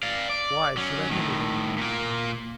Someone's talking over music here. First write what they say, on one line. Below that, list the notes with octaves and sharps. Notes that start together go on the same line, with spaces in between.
Why should I hinder him?
D5 F5
D5
F#3 C#4
A2 D#3
A#2 A#3